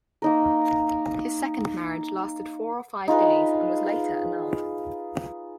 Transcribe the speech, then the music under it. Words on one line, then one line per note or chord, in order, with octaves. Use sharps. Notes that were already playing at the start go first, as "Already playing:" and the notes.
His second marriage lasted four or five days and was later annulled.
A#3 D#4 A#4
D#4 F4 G#4 B4